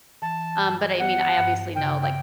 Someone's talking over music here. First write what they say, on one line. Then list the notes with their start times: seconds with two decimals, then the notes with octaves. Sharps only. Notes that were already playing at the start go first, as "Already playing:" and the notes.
Um, but I mean, I obviously know, like,
0.22 E3 A5
0.60 G2
0.99 B3 F#5
1.37 G2
1.75 C#3 G5
2.02 G5